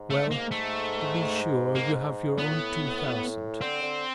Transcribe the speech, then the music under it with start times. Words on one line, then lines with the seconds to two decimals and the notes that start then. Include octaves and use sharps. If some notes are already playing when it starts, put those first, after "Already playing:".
Well, to be sure you have your own two thousand.
Already playing: G#2
0.10 A3
0.31 A#3
0.51 A3
1.75 A#3
2.37 A2 B3
2.45 A#2
2.52 A2
3.61 D3 C4
3.83 D3